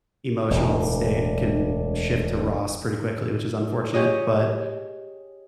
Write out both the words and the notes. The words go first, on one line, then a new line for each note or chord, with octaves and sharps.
emotional state can shift to Ross pretty quickly, which is unfortunate, but
E1 D2
G4 G#4 C#5 D#5